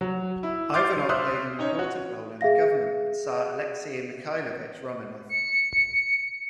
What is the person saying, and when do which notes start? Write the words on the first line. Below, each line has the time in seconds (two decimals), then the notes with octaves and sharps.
Ivanov played an important role in the government of tsar Alexey Mikhailovich Romanov.
0.01 F#3
0.43 E4
0.73 C6 D6 F6 G6 A6 C7
1.09 C5 E5 C6 D#6 F6 F#6
1.59 C#4 D#4 C#5
1.75 F#4 C#5
2.41 G#4 E5 F5 A#6
5.29 C#7